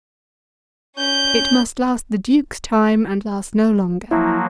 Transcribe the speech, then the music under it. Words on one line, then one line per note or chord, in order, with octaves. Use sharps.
It must last the Duke's time, and last no longer.
C#4 G6
F3 F#3 A#3 E4